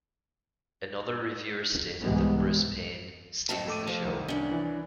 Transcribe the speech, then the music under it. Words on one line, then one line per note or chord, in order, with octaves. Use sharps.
Another reviewer stated that Bruce Payne 'steals the show.
C2 G#2 E3 G3 G#3 B3
F2 A2 A5
A3 D6 D#7
F3
C2 D#3
C#4 D4
E3